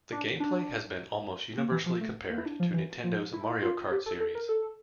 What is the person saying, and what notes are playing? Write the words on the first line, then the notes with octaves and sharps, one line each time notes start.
The gameplay has been almost universally compared to Nintendo's "Mario Kart" series.
D4
D4
A#3
E3
F3
A3
A#3
E4
D4
F3
E3
F3
E4
F4
G4
A4
A4
A#4
A4